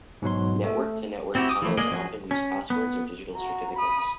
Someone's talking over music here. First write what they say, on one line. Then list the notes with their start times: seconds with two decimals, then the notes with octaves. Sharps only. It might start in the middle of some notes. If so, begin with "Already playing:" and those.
Network-to-network tunnels often use passwords or digital certificates.
0.22 G#2 B2 F#3 C6
0.64 A3
1.35 C4 E4 F#4 G4
1.49 D6 D#6
1.62 E3 F3 A3
1.77 G#3 A#3 G#4 D5 D#5
1.91 F3 C#4 F#4 G#4
2.31 C#4
2.70 B3
3.36 F#4 A#5
3.76 B5 D#6